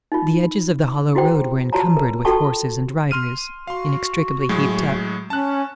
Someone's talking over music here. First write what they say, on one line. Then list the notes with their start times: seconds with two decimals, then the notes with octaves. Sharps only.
The edges of the hollow road were encumbered with horses and riders, inextricably heaped up.
0.12 D#4 F4
1.15 E4 F#4 G#4 C5 G5
1.73 F4 F#4 C#5 A5 A#5
1.97 A#4
2.25 F4 F#4 A4 G5 A5 C#6
3.11 C6 F6 D#7
3.67 F#4 F5 C6
4.49 A2 F#3 G#3
5.30 C#4 A5 F#6